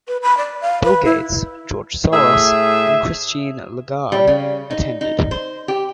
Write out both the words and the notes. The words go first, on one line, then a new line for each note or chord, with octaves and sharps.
Bill Gates, George Soros and Christine Lagarde attended.
B4
B5
D5
F5
B4
E4
A2 G#4 E5
G3
C#3
D#4
D#4
C5
G4